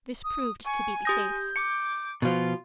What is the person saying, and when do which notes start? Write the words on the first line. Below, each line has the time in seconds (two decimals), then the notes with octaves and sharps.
This proved to be the case.
0.24 D#6
0.65 G#5 C#6
1.05 G4 D#6 G6 A#6
1.56 D6 C#7
2.22 B2 F3 F4